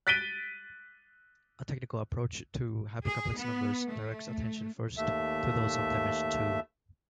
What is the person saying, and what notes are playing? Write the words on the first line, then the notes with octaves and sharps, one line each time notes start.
A technical approach to hypercomplex numbers directs attention first to those of dimension two.
F#6 A6 B6 D7 D#7 G7
G#4
B3
A3
D#2 A3 E5